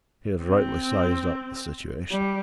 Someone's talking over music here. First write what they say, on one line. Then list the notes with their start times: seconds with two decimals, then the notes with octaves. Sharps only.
He had rightly sized up the situation.
0.43 C4
2.11 G3